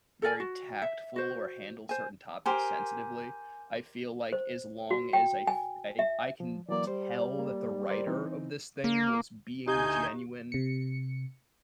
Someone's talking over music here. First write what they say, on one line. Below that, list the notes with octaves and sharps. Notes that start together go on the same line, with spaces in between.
very tactful or handle certain topics sensitively, I feel like as long as I f I I can tell that the writer of this thing was being genuine
A4 A#4 D5 G#5
F#4
E5
F#4 C5
C5 G#5
G4 A#4 C5 G#5
C5
F#4
G5
G#5
E5
F3
E3 F#3 A#3 D5
G3 C5
A#3
A#4 C5 D5
E3 C4 D#4
A#3
D2 D#4 G4 G#5 G6
C3 C#7